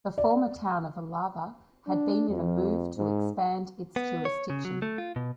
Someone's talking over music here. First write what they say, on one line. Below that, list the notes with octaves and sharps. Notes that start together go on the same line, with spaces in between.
The former town of Alava had been in a move to expand its jurisdiction.
D5
D4
F2
G#2
B3
C#5
C#3
F#3
A3
F4
B2